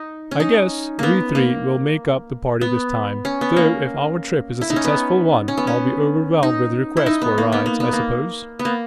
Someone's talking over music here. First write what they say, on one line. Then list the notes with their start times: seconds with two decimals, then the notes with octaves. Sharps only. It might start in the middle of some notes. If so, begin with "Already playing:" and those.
"I guess we three will make up the party this time, though if our trip is a successful one I'll be overwhelmed with requests for rides, I suppose."
Already playing: D#4
0.31 C#4
0.40 D#4
0.99 A#3 B3
1.35 A#3
2.61 B3
3.25 C#4
3.41 B3
3.56 A#3
4.61 E4
4.70 D#4
4.76 C#4
4.84 B3
5.48 C#4
5.57 B3
5.67 C#4
6.43 D#4
6.97 E4
7.06 D#4
7.22 B3
7.38 A#3
7.52 B3
7.66 A#3
7.80 B3
7.93 A#3
8.59 B3
8.65 A#3